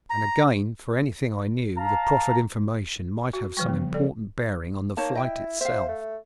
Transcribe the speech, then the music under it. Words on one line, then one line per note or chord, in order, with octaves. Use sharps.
And again, for anything I knew, the proffered information might have some important bearing on the flight itself.
A#5
F5 A5 A#5
F#4
C#3 E3 F3 G3 C#6
B3
A4 D5
A#3 D#4 C#5 A5
E4 D#5 G5
C5 E5 F5
A3